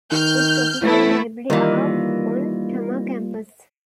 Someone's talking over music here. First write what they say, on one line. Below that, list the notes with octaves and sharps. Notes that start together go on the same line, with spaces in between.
Its office and library are on Tama Campus.
D#3 F6 G6
E3 A3 B3 E4
D#3 E3 G3 A#3 F4